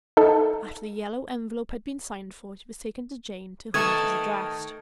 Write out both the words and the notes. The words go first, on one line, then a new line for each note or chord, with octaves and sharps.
After the yellow envelope had been signed for, it was taken to Jane, to whom it was addressed.
D#4 A4
D#3 A3 B4 E5 A5 C#6 D#6 G#6